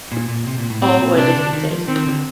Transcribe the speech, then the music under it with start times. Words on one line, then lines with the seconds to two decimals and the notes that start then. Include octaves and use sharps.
All were defeated.
0.12 A#2
0.29 A#2
0.47 C3
0.58 A#2
0.70 A2
0.81 A2 C4
1.00 A#2
1.17 C3 D4
1.35 D3
1.53 D#3
1.70 F3
1.88 D#3 C4
2.06 D3